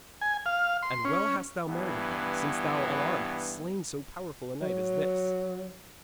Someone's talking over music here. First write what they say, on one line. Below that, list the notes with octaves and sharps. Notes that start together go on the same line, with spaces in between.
And well hast thou merited them, since thou unarmed hast slain so powerful a knight as this.'
G#5
F5
C6
C#4
G2 E3 B3
F#3